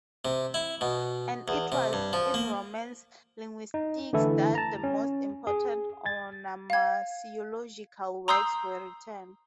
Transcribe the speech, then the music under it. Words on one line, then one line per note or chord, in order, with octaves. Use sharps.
And it was in Romance linguistics that the most important onomasiological works were written.
C3
E4
B2
E2
C3
G2
F3
A#3
D#4
D3 E3 A3 E4 A4
A5 A#5
C#4
G#4
G#6 A6
F5 G#6
A#5 C6 D#6 E6 G6 C7